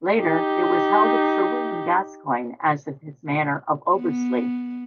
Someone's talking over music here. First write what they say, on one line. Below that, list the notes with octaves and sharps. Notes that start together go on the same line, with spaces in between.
Later it was held of Sir William Gascoigne as of his manor of Oversley.
D#4 G4
B3